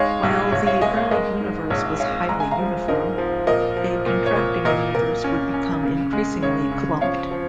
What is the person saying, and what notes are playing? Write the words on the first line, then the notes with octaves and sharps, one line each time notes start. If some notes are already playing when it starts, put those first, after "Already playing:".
While the early universe was highly uniform, a contracting universe would become increasingly clumped.
Already playing: G#3 D#4 C#5 F5
A#1
A#1 C#5
C#5 F5
G#3 D#5 G#5
C#5 F5
G#3 A#4 D#5
G#2
A#1 C#5
G#3 C#5 F5
G#3 A#5
G#5
F5 A#5
F3
G#2 A#4 D#5
F3
A#2 A#4 D#5
F3
A#2
C#5
A#2
A#2 A#4 D#5
A#2 A#4
C#4
C#4
C#3
G#3
C#3 C#5
C#3
F3 C#5 F5
F3